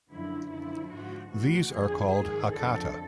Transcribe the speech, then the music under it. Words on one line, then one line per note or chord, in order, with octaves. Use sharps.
These are called Hakata.
F#2 D3 F3 E4
F#2 D3 F3 E4
G#2 F3 F#4
A2 E3 F#4
F2 D3 F3 G#4
G#2 D#3 G#4
F2 D3 F3 A4